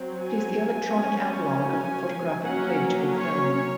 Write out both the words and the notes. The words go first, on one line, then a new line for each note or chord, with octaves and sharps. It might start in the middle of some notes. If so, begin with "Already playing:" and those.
It is the electronic analog of the photographic plate or film.
Already playing: F#3 C4
G#5
F#3 C#4
G#5
F#3 A#3 C#4 F#5
C#5